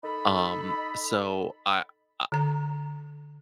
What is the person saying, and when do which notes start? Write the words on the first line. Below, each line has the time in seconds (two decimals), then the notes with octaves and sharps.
Um, so I I
0.04 D#4 A4 B5
2.32 D3 A#5